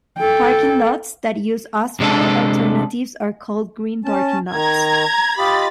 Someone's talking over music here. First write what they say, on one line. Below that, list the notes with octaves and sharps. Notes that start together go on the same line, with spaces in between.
Parking lots that use asphalt alternatives are called green parking lots.
A4 G5
C3 G#3 D4 A4
C#4 A5
D#3 A#5 G#6
F4 G4 D#5 B5 A6